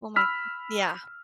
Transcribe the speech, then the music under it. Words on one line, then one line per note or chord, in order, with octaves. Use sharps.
Oh, my g yeah.
B5 E6 F6 B6